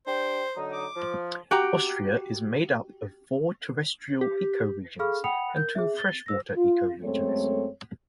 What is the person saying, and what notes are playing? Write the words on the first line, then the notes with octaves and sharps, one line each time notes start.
Austria is made up of four terrestrial ecoregions and two freshwater ecoregions.
D4 G4 C5 G5
D3 F#3 D#4
D6
F3
F#4 G4 G5 A#5
G4
G#4 A4 F5 B5 C#6 F6
F#5 G5 B5 D#6 C#7 F7
A#4 G6
G#4 E5
A6 G7
C5 E6 A#6
F4
F#2 G#3 A3 C4 A4 C#5